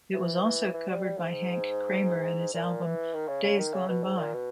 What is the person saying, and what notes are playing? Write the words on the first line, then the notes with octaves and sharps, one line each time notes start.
It was also covered by Hank Cramer in his album, "Days Gone By".
E3
E3
E3
G3
G3
G#2
A#2
E3
D#3
C#3
C#3
D#3
C#3
B2
G#2
A#2
B2